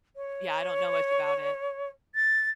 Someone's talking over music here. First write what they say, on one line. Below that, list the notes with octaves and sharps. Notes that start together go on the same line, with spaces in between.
Yeah, I don't know much about it.
C#5
A6